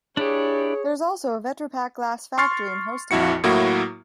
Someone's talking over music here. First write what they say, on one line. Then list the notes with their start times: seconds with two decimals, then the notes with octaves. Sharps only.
There is also a Vetropack glass factory in Hostomel.
0.17 D4 E4 G4 G#4 C#5
2.38 C6 C#6 F6 A6 C7
3.11 A#1 F2 E4 F#4 C#7
3.44 A2 F#3 A#3 E4 F#4